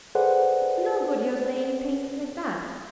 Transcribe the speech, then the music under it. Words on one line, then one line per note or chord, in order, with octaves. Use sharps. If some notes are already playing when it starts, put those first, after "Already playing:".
It's no good your saying things like that.
G#4 A4 B4 C5 D5 F#5